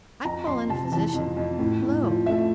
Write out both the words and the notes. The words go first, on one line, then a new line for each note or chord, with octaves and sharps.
I call in a physician; lo!
F2 A#5
F2 C6
C3 A5
E3 A5
F2
F2
A2
A2
F3
A3 E5